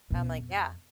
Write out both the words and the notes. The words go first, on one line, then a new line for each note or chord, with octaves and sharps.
I'm like, "Yeah."
C#2 B2
F2